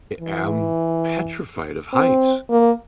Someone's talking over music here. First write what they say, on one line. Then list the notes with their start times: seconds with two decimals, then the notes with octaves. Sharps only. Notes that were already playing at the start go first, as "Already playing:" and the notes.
I am petrified of heights.
0.20 E3
1.93 C4
2.50 A#3